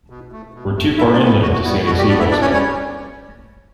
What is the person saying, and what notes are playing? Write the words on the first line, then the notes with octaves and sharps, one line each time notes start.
We're too far inland to see any seagulls yet.
B2
A3
B2
A3
A2 E4 E5
D4 D5
G3 B3
E4
A2 F#4
F#4
G3 B3 E4
B2 F#4
G3 G4
G3 B3 D4 D5
E4 E5
B2 D4 D5
C#4 C#5
G3 C#4 C#5